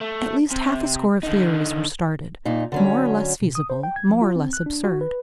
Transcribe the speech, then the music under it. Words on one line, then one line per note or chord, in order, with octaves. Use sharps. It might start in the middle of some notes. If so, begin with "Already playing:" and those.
At least half a score of theories were started--more or less feasible-- more or less absurd.
A3
C3
D3 D#4
A#2 D#4
D3 F#3 C#4
B2
D#6
C5
G5
G#6
F3
F4
C4
F#6
D4
F#4
B4